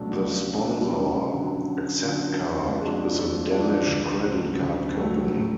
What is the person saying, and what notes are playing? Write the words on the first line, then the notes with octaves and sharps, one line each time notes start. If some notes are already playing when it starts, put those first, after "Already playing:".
The sponsor, Acceptcard, is a Danish credit card company.
Already playing: C#2 B2 F#3 A3 D4
C#2
B2 F#3 A3 D4
F#2
D3 F#3
F#2
D3 F#3
F2
F3 G#3 D4 F#4
F2
F3 G#3 D4 F#4
D2
C#3 F#3 A3
D2
C#3 F#3 A3
A2